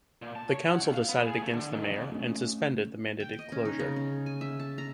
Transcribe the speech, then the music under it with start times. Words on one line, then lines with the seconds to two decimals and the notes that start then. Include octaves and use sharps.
The Council decided against the mayor and suspended the mandated closure.
0.22 A#2
0.36 A5
0.51 C#5
0.69 F#5
0.80 C#2
0.94 F5
1.09 B3
1.26 G#4
1.42 A3
1.54 D3
1.72 D#3
1.92 F2
2.12 A3 C#4
3.20 G5
3.39 D#5
3.52 C#4
3.65 D#4
3.80 C#3
3.96 C#4
4.26 G#5
4.41 E5
4.60 A5
4.78 A#5